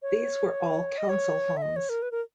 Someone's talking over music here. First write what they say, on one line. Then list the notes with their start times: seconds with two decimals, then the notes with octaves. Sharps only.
These were all council homes.
0.02 C#5
0.98 D#5
1.09 C#5
1.57 E5
1.62 D#5
1.76 C#5
1.89 A#4
2.02 B4
2.11 A#4